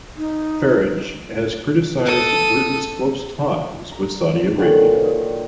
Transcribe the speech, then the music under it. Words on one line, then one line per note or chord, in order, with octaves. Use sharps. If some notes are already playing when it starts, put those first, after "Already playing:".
Farage has criticised Britain's close ties with Saudi Arabia.
D#4
A4 D#6
A#5
A#2 D3 D#3 F#3